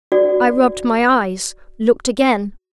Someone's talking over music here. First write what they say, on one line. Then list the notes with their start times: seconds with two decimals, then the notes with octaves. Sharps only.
I rubbed my eyes; looked again.
0.12 F#4 D5